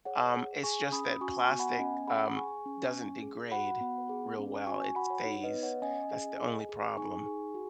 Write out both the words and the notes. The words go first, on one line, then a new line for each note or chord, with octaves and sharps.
um, it's just that plastic, um, doesn't degrade real well, it stays, that's the only problem.
G#4 C#5 F#5
G#4
G#4 G#5 C#6
C#4 B5 D#6
F#4 G#5 C#6
G#5 C#6
B3
F#5 B5
C#4 D#5 G#5
G#4 F#5 B5
G#4 G#5 C#6
C#4
C#4
G#4
F#4 F#5 B5
B3
G#4
C#4
F#4 G#5 C#6
G#5 C#6
F#4 F#5 B5
C#5 F#5
D#4 C#5
B4 D#5
B3
C#5 F#5
C#4 D#5 G#5
G#4
G#4
G#4
D#4 G#5 C#6
G#4
F#4